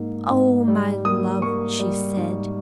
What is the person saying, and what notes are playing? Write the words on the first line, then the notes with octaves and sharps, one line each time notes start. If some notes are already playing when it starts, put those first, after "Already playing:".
"Oh, my love!" she said.
Already playing: G#2 A#3
G#2
G3
A#3 D#6
A#3 C#6
G3
G#2